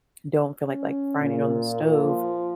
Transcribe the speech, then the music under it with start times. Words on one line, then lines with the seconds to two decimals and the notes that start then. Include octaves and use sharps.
don't feel like, like, frying it on the stove,
0.63 C#4
1.20 A#2
2.00 F3